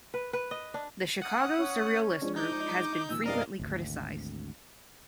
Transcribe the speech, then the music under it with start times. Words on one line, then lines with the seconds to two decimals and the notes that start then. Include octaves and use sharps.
The Chicago Surrealist Group has been frequently criticised.
0.14 B4
0.33 B4
0.51 D#5
0.74 D4
1.22 F#5 D#6
1.57 C#4
2.21 F3 G#3 D4
2.36 D#4 D6 G6
3.10 A#2 D#3 E6
3.26 G2 C3 A#4 D5 D#5 F5
3.59 G#1 D2